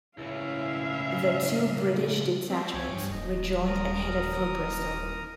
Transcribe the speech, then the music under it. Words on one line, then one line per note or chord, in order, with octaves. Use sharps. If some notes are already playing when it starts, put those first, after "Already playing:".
The two British detachments rejoined and headed for Bristol.
C#2 A2 C#4 E4 E5 F5
C4 F#4 E5
C2 C#5 G5 G#5
G2
D#1 D#5
A#4 A#5 D#6